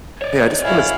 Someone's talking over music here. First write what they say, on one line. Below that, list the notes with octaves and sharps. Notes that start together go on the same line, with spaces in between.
Hey, I just wanna s
C#5 D5
E4 F#4 F5 G#5